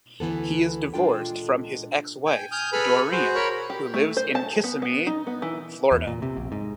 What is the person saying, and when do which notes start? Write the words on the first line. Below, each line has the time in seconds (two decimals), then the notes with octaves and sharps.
He is divorced from his ex-wife, Doreen, who lives in Kissimmee, Florida.
0.20 D2 E3 B3 A4
0.94 A#2 G#3 D4 F4 A4 G5
2.26 G5 G#5
2.52 G#5 D#6 F6 G6
2.73 G#4 A4 B4 G#5 B5 F6
3.12 F#4 G#4 C5
3.35 A#4 C#5 B5 C#6
3.70 G4
3.94 A3
4.17 C5
4.35 A5
4.64 B3
4.82 B3
5.07 D#4
5.27 B3
5.42 E3
5.92 E2
6.07 A#2
6.22 C3
6.37 A#1
6.52 G#2